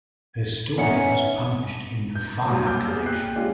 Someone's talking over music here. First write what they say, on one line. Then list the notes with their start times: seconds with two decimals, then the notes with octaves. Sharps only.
Her story was published in the 'Fire' collection.
0.78 B3 C#4 D#4 E5 F#5 G#5 C#7
2.15 G6
2.45 G2 A#2 F#3
2.65 D6 E6 F6 G6
2.86 G3 B3 G#4
3.06 A#2 G4 G5 F#6 C7
3.36 G3 G#3 C#4 D4 F4 G4